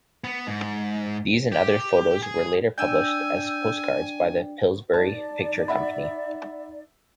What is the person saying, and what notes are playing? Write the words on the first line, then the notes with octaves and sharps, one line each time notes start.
These and other photos were later published as postcards by the Pillsbury Picture Company.
B3
G#2
G4
G#4
D4 D5 G5 G#5 E6 G6
D#4 D5 A5
E5 F#5 B5